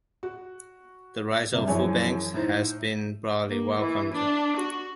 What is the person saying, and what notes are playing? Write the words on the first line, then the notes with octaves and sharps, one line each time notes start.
The rise of food banks has been broadly welcomed.
F#4
G2 C3
F#2 E3 F3 G#4 C#5 G#5
A2 D#4 C5
A#3
E3
D4
F#4